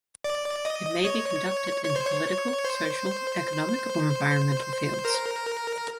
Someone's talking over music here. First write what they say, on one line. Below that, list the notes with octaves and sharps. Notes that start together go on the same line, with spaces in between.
It may be conducted in the political, social, economic or environmental fields.
D5
D#5
C#5
C#5
C5
C#5
C5
A#4